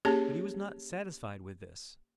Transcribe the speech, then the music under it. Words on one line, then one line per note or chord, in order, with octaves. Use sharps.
But he was not satisfied with this.
A#3 C#4 G4 G#4 C#5 A5